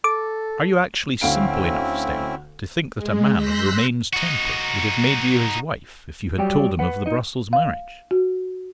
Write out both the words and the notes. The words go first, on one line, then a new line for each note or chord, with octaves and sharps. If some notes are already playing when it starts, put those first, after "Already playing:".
"Are you actually simple enough, Stella, to think that a man of Romayne's temper would have made you his wife if you had told him of the Brussels marriage?"
A4 D6
D2 C4 C#4 E4 F5 D7
G#3
C6 E6 F#6 G6 A#6 B6
D#4 F#4
F#3 G3 G4 D5 G5
B4 F#5
D#4 D#5
F5
F#4